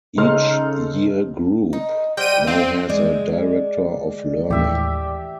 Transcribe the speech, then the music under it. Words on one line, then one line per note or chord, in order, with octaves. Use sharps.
Each year group now has a Director of Learning.
C#3 D#4 A4 C6 F6
D#4
G3 F#4 C5 G5 D#7
C4 F5
G#3 D5
D#2 A2 E3 G4 E5